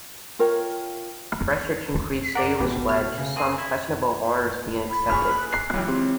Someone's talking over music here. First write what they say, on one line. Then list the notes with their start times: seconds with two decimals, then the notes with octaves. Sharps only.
Pressure to increase sales led to some questionable orders being accepted.
0.39 F4 A#4 C#5 G5
2.35 A#4 D5 F#5
2.60 A1 B2 B3 G4
2.89 F6
3.18 C#3
3.36 A#3 C4 G#4
3.58 E4
4.90 B5
5.10 A#2 G#4 C#6 F6
5.31 F#6
5.53 C7
5.74 C#2 E3 F#3 C#5 G5
5.88 C4 G4